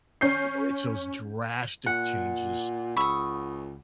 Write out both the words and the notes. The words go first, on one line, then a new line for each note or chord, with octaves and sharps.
you know, it's those drastic changes
C#4 G6 C7
A#2 F#5
C#2 B5 C#6 D#6 E6